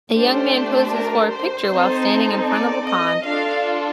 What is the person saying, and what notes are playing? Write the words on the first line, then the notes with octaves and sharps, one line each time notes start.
A young man poses for a pictures while standing in front of a pond.
A3 D4 G4 C5
A#4
C5
C4 D#4 A4
D5
D#5
D4 F4 A4 F5